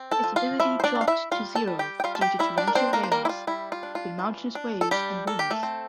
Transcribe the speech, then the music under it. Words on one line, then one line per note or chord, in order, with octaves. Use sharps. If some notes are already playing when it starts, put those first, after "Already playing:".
Visibility dropped to zero due to torrential rains, with mountainous waves and winds.
Already playing: C4
A4 A5
F3
F4 F5
F3 E4 E5
C5
D4 D5
C4
F5
E4 E5
G3 F4 F5
A4 A5
G3
G4 G5
G5
G3 F4 F5
A5
G4 G5
G3 E4 E5
D4 D5
A#4
C4 D4 C5
A#3 A#4
C5
G3 A#3 A#4
E4
F4
G3 E4
F4
D4
F4
E3
D4
A4
G3 D4 G4
A#3 A4
G4
A3 A4
C4